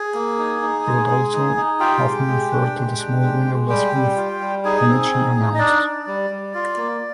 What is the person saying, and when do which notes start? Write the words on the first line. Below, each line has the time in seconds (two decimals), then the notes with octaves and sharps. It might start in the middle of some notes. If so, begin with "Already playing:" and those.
He would also often refer to the "small, windowless booth" from which he announced.
Already playing: G#4 G#5
0.14 A#3
0.38 D#4
0.62 D#4
0.86 G#3
1.09 G#3
1.33 D#4
1.57 D#4
1.80 F4 G4 G5
2.04 G#3
2.28 G#3
2.51 D4
2.75 G#3
2.98 D4
3.22 G#3
3.46 G#3
3.69 G3 G4 G5
3.93 G3
4.17 F4
4.41 G3
4.64 D#4 G#4 G#5
4.88 C4
5.12 D#4
5.36 D#4
5.55 D#5
5.59 D4 D5
5.83 D4
6.07 G3
6.30 G3
6.54 F4
6.77 A#3